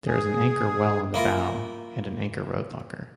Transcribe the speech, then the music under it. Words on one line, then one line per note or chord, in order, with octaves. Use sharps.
There is an anchor well on the bow and an anchor rode locker.
G#4
A#3 E4 F4 A#4